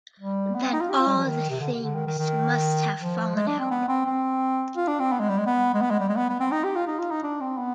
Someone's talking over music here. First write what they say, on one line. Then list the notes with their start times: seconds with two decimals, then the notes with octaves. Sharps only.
Then all the things must have fallen out!
0.20 G3
0.55 B3
0.64 C4
0.73 D#4
0.81 F4
0.90 G4
0.99 F4
1.07 G3
1.16 F3
1.26 D#3
1.50 C3
1.61 D3
1.84 D3
1.95 D#3
2.07 D#3
2.18 D#3
3.01 F3
3.36 G#3
3.47 D4
3.59 C4
3.71 B3
3.88 C4
4.06 C4
4.76 F4
4.88 D4
4.99 C4
5.12 B3
5.20 G#3
5.29 G3
5.38 G#3
5.46 B3
5.74 G#3
5.82 B3
5.91 G#3
6.00 G3
6.09 G#3
6.17 B3
6.29 B3
6.40 C4
6.52 D#4
6.64 G4
6.76 F4
6.87 D#4
6.99 F4
7.11 D#4
7.23 D4
7.41 C4
7.58 B3